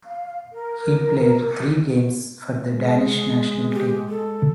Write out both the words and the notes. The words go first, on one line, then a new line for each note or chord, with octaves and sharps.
He played three games for the Danish national team.
F5
A#4
G#3
G4
A4